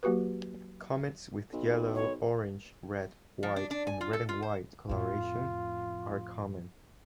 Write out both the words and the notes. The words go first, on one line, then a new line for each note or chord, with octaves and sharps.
Comets with yellow, orange, red, white, and red-and-white coloration are common.
F#3 A#3 F#4 G4 B4
B1
C#5
F3
D4
D4
G#5
F4
A4
F4
C5
F2 A2 F4